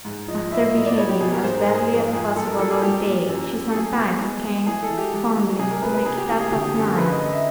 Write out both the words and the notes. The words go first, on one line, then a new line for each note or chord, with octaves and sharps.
After behaving as badly as possible all day, she sometimes came fondling to make it up at night.
G#2
F3 D#5
A2 E5
E5
F#3 D#5
D5
G3 C#5
G4
B2 G#4
A#4
G#2 C5
A#4
G#2
G#4
F2
F2 G#4
A#2 A4
A#4
F#3 A4
G#4
A#2 G4
A#2
F#2
F#2
A4
F#3 G#4
B2
G#3
G#3
E3 G#4
A4
E3
G4
G#3
G#3
C3 G#4
A#4
C3 B4
B4
C3 G#4
G4
E3 G#4
G#4
D3 G4
G#4
F#2 A4
A#4
D3 B4
D#5
F#2 D#5
E5